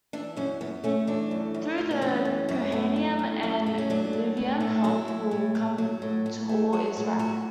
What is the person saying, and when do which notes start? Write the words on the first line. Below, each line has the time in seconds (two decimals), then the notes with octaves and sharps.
Through the Kohanim and Levi'im help will come to all Israel.
0.13 E3 D4
0.36 F#2 C#4
0.61 F#2 B3
0.84 A3 C#4
1.07 E3 D4
1.31 F#2
1.54 F#2
1.78 A3
1.91 B3
2.02 E3 C#4
2.25 F#2
2.49 F#2
2.72 A3
2.96 E3
3.19 F#2
3.43 F#2
3.66 A3
3.78 C#4
3.90 F#3 D4
4.13 A2
4.37 A2
4.60 A3
4.84 F#3 E4
5.08 A2
5.31 A2
5.55 A3
5.78 F#3
6.02 A2
6.26 A2
6.49 A3
6.73 F#3 F#4
6.97 A2
7.19 A2 F#4